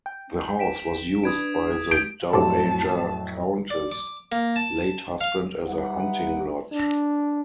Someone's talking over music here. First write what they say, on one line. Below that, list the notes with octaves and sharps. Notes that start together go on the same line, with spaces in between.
The house was used by the Dowager Countess' late husband as a hunting lodge.
G5
B6 D7 E7
D4 B4 D#6 G#6 D7
G6 D7
F2 A2 F#3 A4 C5 D5 A5
D5
D6
A#3
A5
F5
G3 D#4 B4 E5 F#5
D4